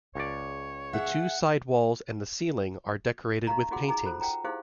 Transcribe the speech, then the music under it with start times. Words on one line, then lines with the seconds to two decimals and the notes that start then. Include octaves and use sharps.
The two side walls and the ceiling are decorated with paintings.
0.15 C#2 C#5 D5
0.93 G#4 E5 F#5
3.47 D#4 G4 F5 A#5
3.71 D#4 F4 F#4 G#4 F#5 C6
3.88 D#4 G#4 G#5 A#5
4.05 F4 F#4 A4 C5
4.21 F#5 G5 A#5
4.44 D#4 E4 G4 G#4 C5 F5